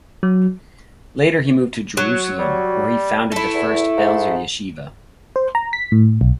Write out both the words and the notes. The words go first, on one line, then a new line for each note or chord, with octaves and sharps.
Later he moved to Jerusalem, where he founded the first Belzer yeshiva.
F#3
F#3
G3
A3 E4
E2
G#2
C5
A#5
B6
A2
B1